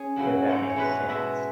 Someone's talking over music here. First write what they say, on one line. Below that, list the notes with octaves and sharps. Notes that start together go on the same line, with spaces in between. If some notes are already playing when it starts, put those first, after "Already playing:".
if that makes sense.
Already playing: C#4 G#4
F#2 C#3 F#3 E4
G#2 G#3 C#4 E4
C#5
B2 G#3 B3 E4 B4
B2 G#3 E4 E5